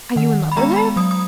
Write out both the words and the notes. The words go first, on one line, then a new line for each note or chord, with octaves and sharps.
"Are you in love with her?"
D#3 F#5
B5
G#3 B3 A#5
B5
F#3 D#6
D#6